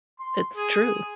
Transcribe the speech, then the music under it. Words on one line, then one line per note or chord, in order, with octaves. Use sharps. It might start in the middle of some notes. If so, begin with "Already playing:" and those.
It's true.
C6
G#4